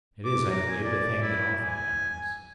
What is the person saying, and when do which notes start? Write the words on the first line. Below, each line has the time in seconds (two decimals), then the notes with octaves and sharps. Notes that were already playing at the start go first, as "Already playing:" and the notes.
It is, I believe, a thing that often happens.
0.25 D6
0.51 A#5
0.69 G#5
0.83 D5
1.22 E4
1.63 G#5